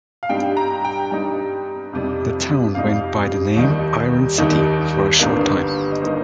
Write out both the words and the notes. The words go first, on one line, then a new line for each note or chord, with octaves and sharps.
The town went by the name "Iron City" for a short time.
F5
G2 G3 D#4 G5
A#5
G5
G2 G3 D#4 G5
F2 C3 G3 D#4
F2 C3 G3 D#4 F5
D#2 D#3 G3 D#4
D#2 D#3 G3 D#4
G1 G2 G3 A#3 D#4
D#5
G3 A#3 D#4 C5